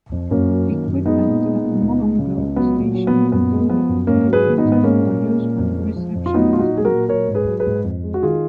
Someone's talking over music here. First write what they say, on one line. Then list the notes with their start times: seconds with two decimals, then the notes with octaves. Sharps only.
Equipment at the Molonglo station included teleprinters for use when reception was good.
0.12 F2
0.30 F#2 A#3 C#4
0.50 F#3
0.69 D#3
0.87 F#2
1.06 G#3 B3 D#4
1.25 A#2
1.45 G#3
1.63 A#2
1.82 C#2
2.01 G#3
2.19 C#3
2.38 C#2
2.56 F#3 B3
2.76 A#2
2.94 F#3
3.07 B3
3.13 A#2
3.32 F#2 B3
3.52 G#3
3.70 F3 B3
3.89 F#2
4.07 G#2 A#3 C#4
4.26 F#3
4.33 G#4 B4
4.45 D#3
4.58 B3 D#4
4.64 G#2
4.72 B3
4.83 G#3 A#3 C#4
5.02 A#2
5.20 G#3
5.39 A#2
5.58 F2
5.77 G#3
5.96 F3
6.15 F2
6.26 F4
6.34 F#3 B3 D#4
6.53 A#2 F4
6.59 D#4 F#4
6.72 F#3
6.77 G#4
6.85 F#4 A#4
6.91 A#2
7.09 F#3 A#4 C#5
7.28 G#2
7.34 G#4 B4
7.47 F#3
7.60 G#4 B4
7.66 G#2
7.84 F2
8.04 G#3
8.14 F#4
8.22 D#3 F4 G#4